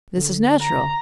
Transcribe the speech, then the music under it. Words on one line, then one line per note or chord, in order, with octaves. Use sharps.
This is natural.
D3
A#5